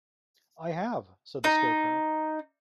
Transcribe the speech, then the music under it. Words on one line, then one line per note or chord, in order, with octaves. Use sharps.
"I have," said the Scarecrow.
D#4